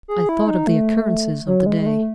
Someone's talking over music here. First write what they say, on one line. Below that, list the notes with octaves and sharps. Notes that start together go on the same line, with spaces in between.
I thought of the occurrences of the day.
G#4
E4
D#4
A3
A3
F#3
G#3
G#3
A3